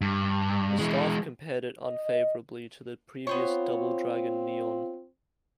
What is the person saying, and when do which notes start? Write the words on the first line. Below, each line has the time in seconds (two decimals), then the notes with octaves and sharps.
The staff compared it unfavorably to the previous Double Dragon Neon.
0.01 G2
0.79 E3 G#3
1.83 D#5
3.27 B3 C4 F4 C5 C#5